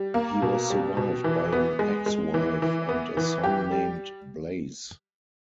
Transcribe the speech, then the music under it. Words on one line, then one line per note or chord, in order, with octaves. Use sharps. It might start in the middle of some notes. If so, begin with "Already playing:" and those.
He was survived by an ex-wife and a son named Blaise.
Already playing: G3
A#3
B2
G3
B2
E3
B3
G#3
G#3
E3
E3
B3
E3
G4
G3